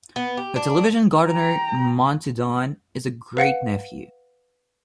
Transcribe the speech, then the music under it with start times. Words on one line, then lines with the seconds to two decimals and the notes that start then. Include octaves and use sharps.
The television gardener Monty Don is a great-nephew.
0.16 B3
0.37 G4
0.56 D4
1.28 G5 A#5
3.37 B4 F5 F#5 C#7